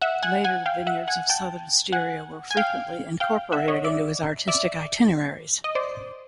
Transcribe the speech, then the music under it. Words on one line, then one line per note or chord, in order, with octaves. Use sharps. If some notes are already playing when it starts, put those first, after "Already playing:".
Later the vineyards of southern Styria were frequently incorporated into his artistic itineraries.
E5 F#5
F#5 G#5
F#5 G#5
F5 G5
E5 F#5
F#5 G#5
G5 A5
F#5 G#5
G#5
F5 G5
F5 G5
E5 F#5
C#5 D#5
D5 E5
D5 E5
D#5
C5 D5